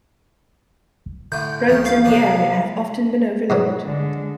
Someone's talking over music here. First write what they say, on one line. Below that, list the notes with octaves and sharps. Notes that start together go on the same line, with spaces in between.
Roads in the area have often been overlooked.
A2 D3 G6
C#2 A2 F3
F5
C3 F3 D4
G#2 B2 F#3
D3 G#3